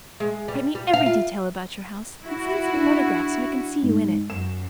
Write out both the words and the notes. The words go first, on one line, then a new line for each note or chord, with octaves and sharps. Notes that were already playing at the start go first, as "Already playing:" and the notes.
Write me every detail about your house, and send some photographs, so I can see you in it.
G#3
G3
G3
F5
F4
E4 F#4
D4
G#2
F#2 E7